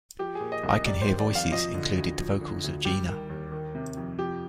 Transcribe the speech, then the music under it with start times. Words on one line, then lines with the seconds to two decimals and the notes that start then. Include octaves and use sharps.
"I Can Hear Voices" included the vocals of Jina.
0.19 F3 G4
0.35 G#4
0.40 A#2
0.52 D#5
0.63 C2
0.69 D#5
0.86 G3 D5
1.02 C5
1.08 D#3
1.19 D5
1.29 F2
1.35 F5
1.52 F3 D#5
1.74 D3
1.97 D2
2.19 F3
2.41 D3
2.64 D2
2.85 G3 G4
3.08 D#3
3.29 D#2
3.52 D#3
3.75 C3
3.97 F2
4.18 F3 G4